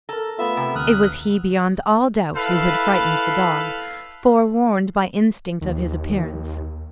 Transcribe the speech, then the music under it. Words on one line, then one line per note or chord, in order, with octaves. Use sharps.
It was he beyond all doubt who had frightened the dog, forewarned by instinct of his appearance.
A4 A#4 A#5
A3 B3 F4 E5
C3
D2 D#6 F6 F#6
E4 A4 B4 F5
D#2